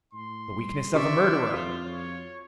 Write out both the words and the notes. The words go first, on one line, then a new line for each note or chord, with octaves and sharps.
"The weakness of a murderer!"
A2 C6
G3
C#3 D4 F#4 G4 D5 E5 C#6
F2 F4 F#4 A4
C#5